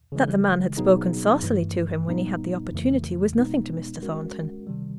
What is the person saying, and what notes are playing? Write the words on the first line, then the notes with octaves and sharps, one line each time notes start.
That the man had spoken saucily to him when he had the opportunity, was nothing to Mr. Thornton.
C#3 E3 G#3
B2 F#3 B3 D#4 G#4
G2 E3 A3
A#2 G3 B3 D#4
F2 C#3 E3 A3
B2 G#3 B3 D#4
G#3 C#4 F#4 A#4
C3 D#3 G3